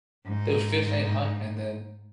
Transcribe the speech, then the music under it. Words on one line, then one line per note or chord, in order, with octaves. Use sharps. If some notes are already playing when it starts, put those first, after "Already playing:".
they would fish and hunt and then
G#2 D#4